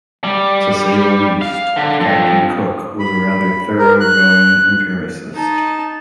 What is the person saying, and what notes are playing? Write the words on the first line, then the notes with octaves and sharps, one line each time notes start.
To say the least, Captain Cook was a rather thorough going empiricist.
G3
F5
D3
F2
B5
A#4
F#6
D#4 A5